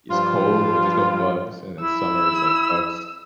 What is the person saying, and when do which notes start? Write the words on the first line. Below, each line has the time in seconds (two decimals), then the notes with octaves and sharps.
is cold, but there's no bugs, and then summer is like bugs.
0.11 G2 F3 F4
1.81 E4 E6